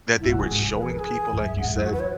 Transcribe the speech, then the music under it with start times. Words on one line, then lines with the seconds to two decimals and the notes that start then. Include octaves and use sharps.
that they were showing people, like you said,
0.17 F#2
0.20 E4
0.25 G#2
0.30 B2 F#4
0.39 C#3 G#4
0.51 G#2
0.62 C#3
0.73 E3 B4
0.82 G#4
0.90 E3 B4
0.99 G#4
1.33 G#2
1.40 F#2 E5
1.53 F#2
1.58 F#5
1.64 G#2
1.75 F#2 E4
1.84 F#4
1.92 E2 B4
2.00 C#5